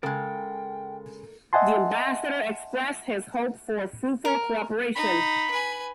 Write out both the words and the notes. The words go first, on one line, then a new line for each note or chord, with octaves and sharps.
The Ambassador expressed his hope for fruitful cooperation.
C#3 G#3 A4 A#4 G5
D#5 E5 F#5 G#5 A5 C6
A#4
D#4 B5
B4 G#5